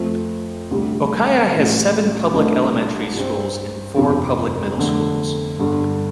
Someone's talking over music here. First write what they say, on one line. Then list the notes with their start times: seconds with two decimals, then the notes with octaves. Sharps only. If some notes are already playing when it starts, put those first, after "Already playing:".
Okaya has seven public elementary schools and four public middle schools.
Already playing: F2 F3 A3 C4
0.71 D2 C3 G3
1.52 A1 A2 F3
2.33 C2 C3 A3 D4
3.14 G2 G3 C4
3.96 G1 F2 C3
4.78 F2 D3 A3
5.59 G1 G2 D3